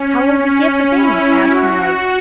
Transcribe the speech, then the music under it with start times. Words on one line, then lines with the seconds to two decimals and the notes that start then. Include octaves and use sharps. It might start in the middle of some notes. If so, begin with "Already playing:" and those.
"How will we give the things?" asked Meg.
Already playing: C#4
0.44 C#4
0.96 E4
1.48 F#4